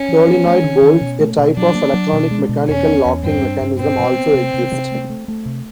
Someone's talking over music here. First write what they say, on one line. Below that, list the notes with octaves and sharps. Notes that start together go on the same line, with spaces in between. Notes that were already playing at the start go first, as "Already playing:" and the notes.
Solenoid bolts, a type of electronic-mechanical locking mechanism, also exist.
Already playing: C#4
F3
B3
A3
D#3
D#3
B2
A3
B2
F#3 D4
A#3
F#3
B2
G#3
B2
E2 C#4
B3
E2
G2 C4
D4
G2
B2 C4
B2
B3
C3
C3
C3
A3
A3
A3
C3